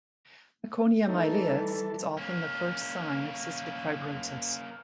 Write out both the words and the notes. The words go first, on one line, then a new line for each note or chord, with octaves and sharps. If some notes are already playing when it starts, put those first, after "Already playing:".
Meconium ileus is often the first sign of cystic fibrosis.
E3 G3 A3 D#4 A4
A#3 C#4